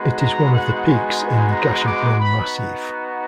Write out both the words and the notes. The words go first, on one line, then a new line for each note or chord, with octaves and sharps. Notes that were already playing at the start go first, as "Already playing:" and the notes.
It is one of the peaks in the Gasherbrum massif.
Already playing: G#3 B3 D#4 F#4
A#5
F#5
G#5
A#5
D6
B3 D#4 F#4 B5